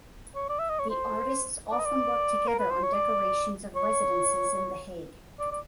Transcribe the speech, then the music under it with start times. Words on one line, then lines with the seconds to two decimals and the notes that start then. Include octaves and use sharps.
The artists often worked together on decorations of residences in The Hague.
0.35 C#5
0.49 D5
0.59 E5
0.69 D#5
0.79 C#5
0.90 C5
1.71 D5
1.79 D#5
1.85 D5
2.48 A#4
2.59 B4
2.71 C5
2.83 C#5
2.94 D5
3.76 C#5
5.39 D5
5.52 D5